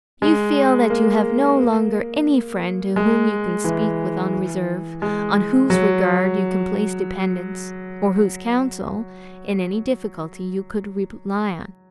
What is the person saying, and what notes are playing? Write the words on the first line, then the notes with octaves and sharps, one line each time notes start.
You feel that you have no longer any friend to whom you can speak with unreserve, on whose regard you can place dependence, or whose counsel, in any difficulty, you could rely on.
G#3
A#3
G#3
E3
G#3
F#3